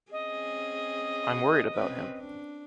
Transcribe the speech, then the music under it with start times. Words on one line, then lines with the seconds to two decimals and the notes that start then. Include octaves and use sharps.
I’m worried about him.
0.11 C4 C#4 G#4 D#5
1.74 C4 C#4 B4
2.17 D4